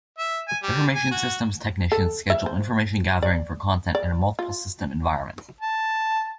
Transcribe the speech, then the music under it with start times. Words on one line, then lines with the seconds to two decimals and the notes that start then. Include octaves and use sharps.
Information systems technicians schedule information gathering for content in a multiple system environment.
0.18 E5
0.48 G#5
0.63 G3
0.95 G#5
1.11 F#4
1.92 A4
2.30 E5
2.46 C5
3.23 D5
3.95 D5
4.39 F4
5.61 A5